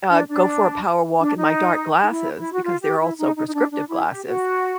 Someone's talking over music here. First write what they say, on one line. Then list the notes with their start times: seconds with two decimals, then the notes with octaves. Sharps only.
uh, go for a power walk in my dark glasses, because they're also prescriptive glasses,
0.10 D4
0.29 D4
1.19 D4
1.38 D#4
2.03 D#4
2.09 E4
2.37 E4
2.52 F#4
2.63 F4
2.82 G4
3.00 E4
3.18 D#4
3.36 D#4
3.47 D#4
3.54 D4
3.71 D4
3.89 E4
4.08 G4
4.26 F#4